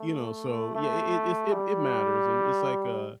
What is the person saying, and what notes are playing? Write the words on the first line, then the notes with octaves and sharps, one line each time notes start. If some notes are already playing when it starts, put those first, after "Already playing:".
you know, so yeah, it it it's it it matters, and it's like, uh,
Already playing: A3
A3
G3